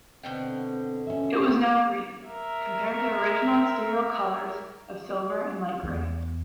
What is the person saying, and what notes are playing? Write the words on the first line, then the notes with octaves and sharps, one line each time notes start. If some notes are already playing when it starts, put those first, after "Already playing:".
It was now green, compared to original exterior colours of silver and light grey.
B2 D3 C4 G5
C#4 E5
A#4 E5
E2